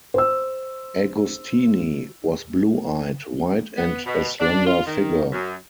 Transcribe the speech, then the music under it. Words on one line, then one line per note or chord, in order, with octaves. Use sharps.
Agustini was blue eyed, white and a slender figure.
C5 E6
B3
B2
D4
F4
D#3
F#2